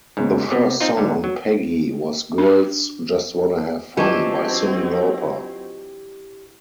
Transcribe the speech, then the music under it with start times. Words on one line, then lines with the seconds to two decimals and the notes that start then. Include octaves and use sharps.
The first song on Peggy was "Girls Just Wanna Have Fun" by Cyndi Lauper.
0.17 C#2 G#2
0.51 C3 B3 C4
0.80 C4 D#4 F4
0.97 G#2 D3
1.24 F#3
2.38 D4
3.97 E3 F#3 C4 D4 F4 G4 D#5 C#6